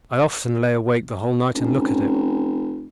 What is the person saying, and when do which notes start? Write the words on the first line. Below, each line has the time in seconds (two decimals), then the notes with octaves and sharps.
I often lay awake the whole night and look at it.
1.55 F1 C#4